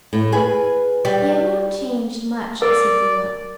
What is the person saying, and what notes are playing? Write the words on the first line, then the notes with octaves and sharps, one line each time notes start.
He had not changed much as he grew up.
A2
G#4 B4 G#5
G3
A#4 D5